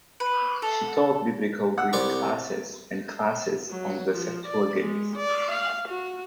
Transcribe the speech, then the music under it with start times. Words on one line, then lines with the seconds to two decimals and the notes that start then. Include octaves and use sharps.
She taught biblical Greek classes and classes on the Septuagint.
0.20 B4
0.62 A4
1.78 F#5 E6
1.93 C2 D5 C#6
3.70 F#3
4.11 F3
4.47 D5
4.80 G#3
5.17 D5
5.52 F5
5.89 F#4